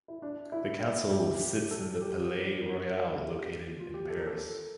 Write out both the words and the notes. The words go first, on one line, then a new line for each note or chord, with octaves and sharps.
The Council sits in the Palais Royal located in Paris.
E4
D4
E4
G4
A4
A4
G4
A#4
G4
F4
G4
A4
A#4
A4